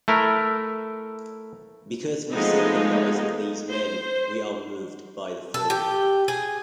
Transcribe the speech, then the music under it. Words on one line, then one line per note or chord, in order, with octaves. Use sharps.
Because we sympathize with these men, we are moved by the film.
A3 E4 A#4
F3 G#3 A3 B3 D#4
C5
A4
G4
G#4